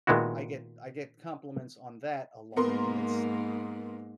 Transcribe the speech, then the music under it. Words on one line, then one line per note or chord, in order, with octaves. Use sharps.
I get I get compliments on that a lot, and it's
A#2 D#3 G#3 B3 E4 F#4
G#2 A#3 B3 A#4 C6